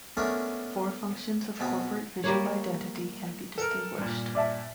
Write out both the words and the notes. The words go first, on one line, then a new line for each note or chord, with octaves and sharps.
Four functions of corporate visual identity can be distinguished.
G#3 A3 B3 C#4 D4 A#4
B2 G#3 B3 C4
G3 A#3 C#5
A4 A#4
G2 A#2
D5 E5 A5